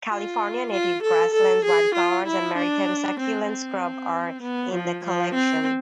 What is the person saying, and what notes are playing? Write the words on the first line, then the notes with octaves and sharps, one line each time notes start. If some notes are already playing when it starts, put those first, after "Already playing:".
California native grasslands, wildflowers, and maritime succulent scrub are in the collection.
F4
F4
A4
A4
G#4
F4
E4
D4
C4
C4
B3
F3
F3
C4